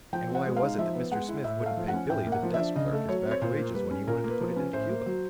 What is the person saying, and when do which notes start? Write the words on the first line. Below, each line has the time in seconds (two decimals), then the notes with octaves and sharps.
And why was it that Mr. Smith wouldn't pay Billy, the desk clerk, his back wages when he wanted to put it into Cuba?
0.13 F3 G5
0.29 C4
0.35 F#5
0.46 G#3
0.56 F5
0.62 D#4
0.78 F3 E5
0.95 B3
1.11 G#3 F#5
1.28 E4
1.44 A2 E5
1.61 A3
1.66 F5
1.77 F3
1.88 F#5
1.94 C#4
2.10 A2 G5
2.27 A#3
2.32 F#5
2.43 F3
2.54 E5
2.60 D4
2.76 C#3 D#5
2.92 A3
3.09 F#3 C#5
3.25 C4
3.31 C#5
3.41 A#2 C5
3.58 A#3
3.74 G3 B4
3.91 C#4
4.07 A#2 A#4
4.24 A#3
4.29 B4
4.41 F3
4.51 B4
4.56 C#4
4.73 A2 C5
4.89 A#3
5.06 F#3